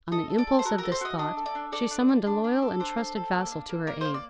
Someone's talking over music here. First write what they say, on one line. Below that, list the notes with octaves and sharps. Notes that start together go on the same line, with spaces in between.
On the impulse of this thought she summoned a loyal and trusted vassal to her aid.
A4 D#5
A4
D5
A4
C5
F#4 A#4
A#4
A4
C5
F#4 D#5
D4 D#5
A4
D5
D4
A4 D5
D4
D4
D4
D4
A4
D4 C5
A4
A4
A#3
D4
A#3
A#3 A#4
A#3 C5
D5